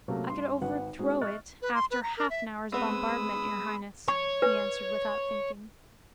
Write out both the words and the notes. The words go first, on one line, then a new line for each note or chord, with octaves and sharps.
"I could overthrow it after half an hour's bombardment, your highness," he answered, without thinking.
C3 F#3 A3 A#3 C#4
G2 C6
G#1 B4 F#5
G#3 C4 D#4 F#4
D#5 E5 C#6 F6 F#6 A6
B4
C6
B4
A#5
A#4
E5
G#3 B3 C4 B5 D#6 E6
C#5 C#6
B4